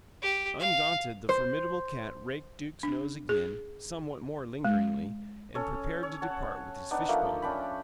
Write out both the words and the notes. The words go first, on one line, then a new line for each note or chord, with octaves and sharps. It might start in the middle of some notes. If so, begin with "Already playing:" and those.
Undaunted, the formidable cat raked Duke's nose again, somewhat more lingeringly, and prepared to depart with his fishbone.
G4
F5
C5
D4
G#4
G#3
C#4 A4 C#5
C#5
F#5 A5
B3 D4 D#4
F3 A3 A#3
C#4 D4 G5 B5